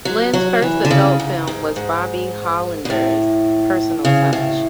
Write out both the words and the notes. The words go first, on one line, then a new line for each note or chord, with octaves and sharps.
Lynn's first adult film was Bobby Hollander's "Personal Touch".
F#3
F#3
E3
D3
C#3
G#2
G#2
G#2
B2
A2
C#3
A2